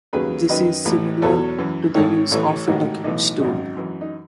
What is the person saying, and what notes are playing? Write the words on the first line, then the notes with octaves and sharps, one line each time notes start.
This is similar to the use of a ducking stool.
D#2 C#3 F#3 G#4 B4
F#2 D#3 F#3 B4 D#5
A1 A2 E3
E2 B2 F#3 A4 C#5
F#2 E3
G#1 G#2 D#3 A4 C#5
A1 A2 E3 A4 C#5
A1 G#2 D#3 D#4 F#4
B1 A2 E3 D#4
G#1 F#2 C#3 D#4 F#4
F#2 E3
D#4